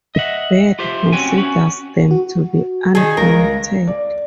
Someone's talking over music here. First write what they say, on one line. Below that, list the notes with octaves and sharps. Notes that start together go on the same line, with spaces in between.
Bird considers them to be unconnected.
D#5 E5 F#5
F4 G4 C5 E5
C4 C#4 F#4 C#5 G5 G#5
C#4 F#4
F#4
D#3 G#4
C#2 A#4
D5